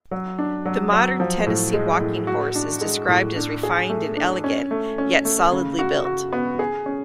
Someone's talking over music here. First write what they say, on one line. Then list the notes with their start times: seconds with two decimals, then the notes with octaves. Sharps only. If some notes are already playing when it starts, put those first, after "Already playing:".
The modern Tennessee Walking Horse is described as "refined and elegant, yet solidly built".
0.11 F#3
0.39 D4
0.65 F#3
0.92 F#3
1.20 F3
1.46 A2
1.74 G#3
2.00 A2
2.27 F#4
2.55 D4
2.81 G#3
3.08 A2
3.36 D4
3.63 G#4
3.90 A3
4.17 D4
4.44 C#4
4.71 A3
4.98 C#4
5.25 A3
5.52 C#3
5.79 F#4
6.05 F#4
6.33 B3
6.59 G#4
6.86 C#4